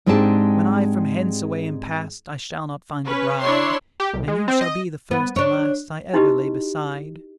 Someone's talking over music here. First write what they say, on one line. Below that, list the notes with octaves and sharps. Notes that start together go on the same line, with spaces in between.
"When I from hence away am past I shall not find a bride, And you shall be the first and last I ever lay beside."
G#2 G#3 C4 D4 G4 A5
C#4 B4
D4 E4 C#5 C6
G4
C2
G#3
C4
D#5
B3
D4 C#5
D#4 E4 F#4 G4 B4 D#5